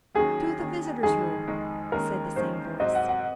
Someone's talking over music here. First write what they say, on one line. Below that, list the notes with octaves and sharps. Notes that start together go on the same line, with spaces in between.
"To the visitors' room!" said the same voice.
D#2 D#3 F#3 C#4 G#4
D#2 D#3 F#3 C#4
F2 D#3 G#3 D#4 G#4
F2 D#3 G#3 D#4
D#2 D#3 G#3 C#4 A#4
D#2 D#3 G#3 C#4 C5
G#2 F#3 C4 D#5
F#5
F#5